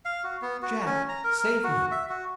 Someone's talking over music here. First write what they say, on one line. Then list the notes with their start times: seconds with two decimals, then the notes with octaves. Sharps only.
Jack! save me!'
0.05 F5
0.23 F#4
0.42 B3
0.62 F#4
0.86 C#4
1.09 A#5
1.24 A#4
1.38 A#4
1.64 F#4
1.91 E5
2.09 F#4